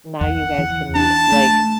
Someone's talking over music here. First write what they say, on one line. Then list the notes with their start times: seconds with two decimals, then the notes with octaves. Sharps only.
Now you guys can, like,
0.21 E2 F#5
0.58 E3
0.95 D4 A5
1.32 A3